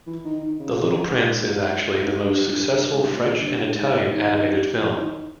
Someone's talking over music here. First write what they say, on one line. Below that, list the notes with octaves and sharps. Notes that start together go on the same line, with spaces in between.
"The Little Prince" is actually the most successful French and Italian animated film.
E3
D#3
D#3
C#3
C#3
G#2
G#2
G2
G2
G2
G#2
G2
G#2
A#2
G2
G2
G#2
B2
D#3
E3
D#3